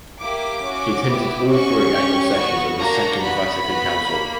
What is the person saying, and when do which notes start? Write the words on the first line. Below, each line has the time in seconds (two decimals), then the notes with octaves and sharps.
He attended all three annual sessions of the Second Vatican Council.
0.19 A#3 E4 G4 D6
0.64 C#4 F#4
1.07 B3 E4 G4
1.50 C#4 F#4 C#6
1.93 C#4 G4
2.36 B3 F#4
2.79 A#3 D4 F#4 A#5
3.22 B3 F#4 B5
3.66 B3 F#4
4.09 A#3